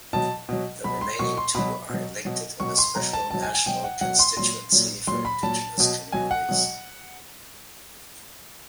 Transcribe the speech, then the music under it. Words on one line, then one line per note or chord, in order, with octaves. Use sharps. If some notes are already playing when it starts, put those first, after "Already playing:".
The remaining two are elected in a special national constituency for Indigenous communities.
B2 F#3 A5
B2 F#3
B2 F#3 B5
C6
B2 F#3 C#6
C6
B2 F#3 B5
B2 F#3
B2 F#3
B2 F#3 C#6
C6
B2 F#3 A#5
A5
B2 F#3 A5
G#5
G#5
B2 F#3 G5
F#5
B2 F#3 F#5
C6
A#2 F#3 C6
A#2 F#3
A#2 F#3 C6
B5
A#2 F#3 A5
B2 F#3
B2 F#3 G#5
F#5
B2 F#3